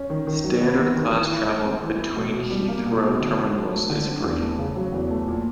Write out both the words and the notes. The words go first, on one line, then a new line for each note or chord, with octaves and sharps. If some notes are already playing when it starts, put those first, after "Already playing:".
Standard class travel between Heathrow terminals is free.
Already playing: C#4
D#3
D#3
F#3
B3
D#3
D#3
E3
E4
A3
C4
E3
E4
B2
B2
G3
A#3
B2
B2
D3
C4
F#3
A3
D3
C4
E2
A3
C#3
F#3
E2
A3
A#2